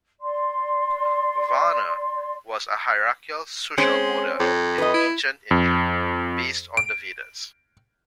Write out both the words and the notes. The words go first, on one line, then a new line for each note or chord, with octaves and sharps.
Varna was a hierarchical social order in ancient India, based on the Vedas.
D5 C6
G#3 C4 C#4 C5
F2
B4 D#5
E4
F2
D7